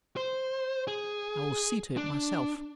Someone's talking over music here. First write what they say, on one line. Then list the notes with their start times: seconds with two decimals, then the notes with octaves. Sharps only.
"I will see to it myself."
0.17 C5
0.87 G#4
1.97 D4